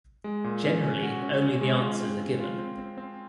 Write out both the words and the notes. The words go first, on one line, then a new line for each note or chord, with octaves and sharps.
Generally, only the answers are given.
G#3
A#2
C#4
C#4
F#4
C#4
C#4
G#3
F4
C4
C4
F4
C4
C4
C4